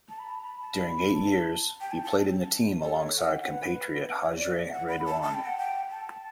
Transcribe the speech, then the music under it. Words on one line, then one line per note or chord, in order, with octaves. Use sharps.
During eight years, he played in the team alongside compatriot Hajry Redouane.
A5
B5
A5
B5
A5
B5
A5
G5
A5
A5
A4
C#5
F#5
G5
F#5
B4
C#5
E5
D5
E5
F#5
B5
A5
A5
G5
F#5
G5
A5